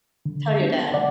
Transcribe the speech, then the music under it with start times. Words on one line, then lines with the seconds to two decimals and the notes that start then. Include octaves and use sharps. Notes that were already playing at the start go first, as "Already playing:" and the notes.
Tell your dad.
0.26 D3
0.60 B3 D4
0.94 D3 D5 F#5